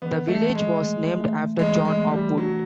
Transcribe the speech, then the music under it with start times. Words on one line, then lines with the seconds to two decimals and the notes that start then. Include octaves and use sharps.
The village was named after John Hopwood.
0.02 E3 B3
0.28 A3
0.42 E3
0.55 G#3
0.80 A3
1.20 A3
1.59 E3 G#3
1.85 G#3
1.98 A3
2.11 G3
2.37 F#3 D4